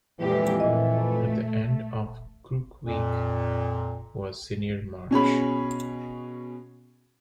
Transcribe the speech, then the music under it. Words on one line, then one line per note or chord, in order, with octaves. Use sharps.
At the end of Crook Week was Senior March.
F2 A#2 E3 G#3 G4
A#2 A3 D#5
F2 A#2
B2 C#4 G#4 B5